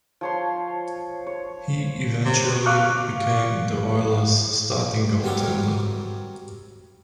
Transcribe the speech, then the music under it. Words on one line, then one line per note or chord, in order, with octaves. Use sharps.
He eventually became the Oilers' starting goaltender.
F3 C#5 C6
C#5
C3
F5 C#6 D6 F6 F#6
F#3 G3 C4 G4 A#4 C#5